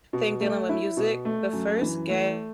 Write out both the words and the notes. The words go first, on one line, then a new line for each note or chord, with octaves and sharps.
Think dealing with music. The first gadget
B2
A3
E4
B2
A3
F#2
E3
A3